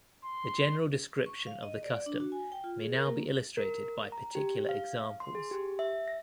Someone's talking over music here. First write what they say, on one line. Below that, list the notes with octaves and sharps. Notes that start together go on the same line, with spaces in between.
The general description of the custom may now be illustrated by particular examples.
C6
C#6
F5
D#5
D5
D4
F#4
G#5
G5
F4
G#4
A#4
A#3
A#4
A#5
G4
F5
C6
G#4
G4
E5
A#6